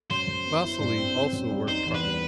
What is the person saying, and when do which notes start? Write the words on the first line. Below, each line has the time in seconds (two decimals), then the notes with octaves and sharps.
Vasily also worked hard.
0.10 F#2 C5
0.27 F#2
0.46 B3
0.63 E4
0.80 G2
0.98 C4
1.16 C4
1.33 F#2
1.51 G3
1.68 D#4 C5
1.86 E2
1.94 B4
2.04 G3